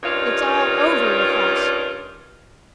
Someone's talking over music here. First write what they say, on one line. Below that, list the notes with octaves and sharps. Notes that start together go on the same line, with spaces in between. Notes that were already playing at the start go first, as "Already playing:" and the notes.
It's all over with us.
G2 D#3 G3 C#4 F4